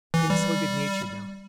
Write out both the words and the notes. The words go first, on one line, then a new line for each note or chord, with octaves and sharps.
I am so good-natured now.
E3
G3